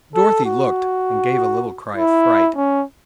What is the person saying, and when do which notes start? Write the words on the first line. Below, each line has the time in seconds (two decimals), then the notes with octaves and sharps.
Dorothy looked, and gave a little cry of fright.
0.15 A4
0.45 F#4
1.96 E4
2.56 C#4